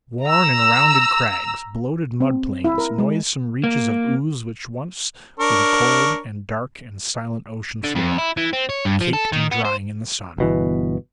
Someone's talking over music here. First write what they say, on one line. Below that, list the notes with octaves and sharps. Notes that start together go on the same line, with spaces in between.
Worn and rounded crags; bloated mud-plains; noisome reaches of ooze which once were the cold and dark and silent ocean floor, caked and drying in the sun.
A#5 E6
C4
E4
A#4
G#3
A#3
D4 A#4 C#5
D3
F2
E4
E3
C4
C#5
G2
F3
A4
D#3
B3
C5
G1 B2 E3